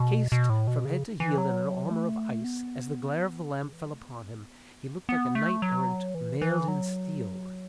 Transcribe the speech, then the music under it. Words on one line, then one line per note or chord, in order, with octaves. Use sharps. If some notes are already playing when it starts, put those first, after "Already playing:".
Cased from head to heel in an armor of ice, as the glare of the lamp fell upon him, he looked like a knight-errant mailed in steel.
Already playing: B2
B2
A2
B2
C#3
E3
F#3
A3
B3
C#4
C#3
E3
F#3
A3
B3
B3
A3
F#3
E3
E3
F#3